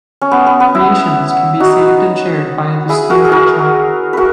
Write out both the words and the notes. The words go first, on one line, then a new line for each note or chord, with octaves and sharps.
Creations can be saved and shared via the Steam workshop.
C#4
B3
B3
B3
E4
D#4 F#4
E4 G#4
F#4 A#4
G#4
F#4 A#4
F#4 A#4 B4